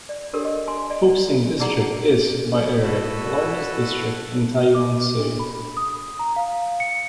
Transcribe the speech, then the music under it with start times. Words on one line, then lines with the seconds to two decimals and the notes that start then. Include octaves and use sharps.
Fuxing District is, by area, the largest district in Taoyuan City.
0.09 D5
0.33 D4 G4 A4 A#4 C#5
0.45 D#5
0.68 G#5 C6
0.90 D5 D#5 G#5
1.60 D#4 E4 G#4 D5 F#5 A#5
2.82 E4 F#4 A4 B4 E6
4.75 D6
5.19 D4
5.39 B5
5.77 D#6
6.19 A#5
6.36 F5
6.80 C#7